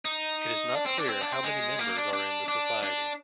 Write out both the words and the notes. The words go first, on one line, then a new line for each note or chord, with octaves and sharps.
It is not clear how many members are in the society.
D#4
D4
C4
D4
C4
D4
C4
G#3
A#3
D4
D4
D4
D4